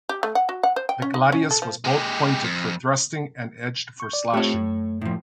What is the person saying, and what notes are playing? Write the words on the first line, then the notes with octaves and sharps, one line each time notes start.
The gladius was both pointed for thrusting and edged for slashing.
G4
A3
F#5
F#4
F#5
C5
G5
C#4
D#4
C#4
A4
F3
G#3 G4
F2
C#6 G6
D5
A3 C4 F4 G4 C#5
F#2
A2 F3